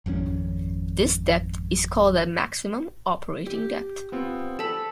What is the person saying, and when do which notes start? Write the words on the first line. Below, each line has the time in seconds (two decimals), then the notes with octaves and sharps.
This depth is called the maximum operating depth.
0.06 G#1 F2 D#3 C#4
3.46 G4
4.12 B3 C4 F4
4.59 A4 B5 E7